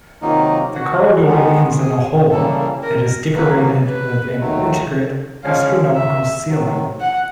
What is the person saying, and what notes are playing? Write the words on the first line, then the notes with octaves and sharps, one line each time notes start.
The corridor ends in a hall that is decorated with an intricate astronomical ceiling.
C3 D#3 F#3 A#3 D#4 F4
F#4
D#3 G#3 B3
G#4
C#3 E3 G3 A#3 A4
A#4
C#3 F#3 A#3 B4
B4
D#2 D#3 F#3 A3
C#3 F3 G#3 C#4 F5
E5
C3 D#3 F#3
F#5